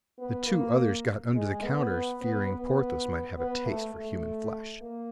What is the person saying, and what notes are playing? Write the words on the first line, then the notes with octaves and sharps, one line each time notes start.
The two others got under the counters, fearing Porthos might have a taste for human flesh.
B3
A#3
G#3
B3
B3
B3
B3
A3
A3
A#3